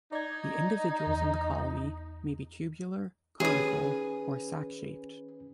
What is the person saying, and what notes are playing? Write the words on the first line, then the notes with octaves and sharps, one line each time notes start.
The individuals in the colony may be tubular, conical, or sac-shaped.
D#4 D5 G#6
E2
D#3 C#4 G#4 B4 D#6